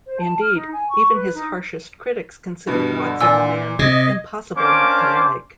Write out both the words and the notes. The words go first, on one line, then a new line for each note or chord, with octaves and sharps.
Indeed, even his harshest critics considered Watson the man "impossible not to like".
C5
A5
F6
D#4
G#5
C#6
B4
D#4
G2 B2
D3
A#2 D5 G#5 E6
C3 D#5 G#6
A#3 C#4 D4 C5 D6